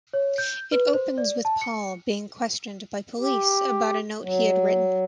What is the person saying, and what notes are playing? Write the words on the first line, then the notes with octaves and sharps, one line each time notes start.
It opens with Paul being questioned by police about a note he had written.
C#5
G6
B4
C5
D5
A5
C#7
G4
F#3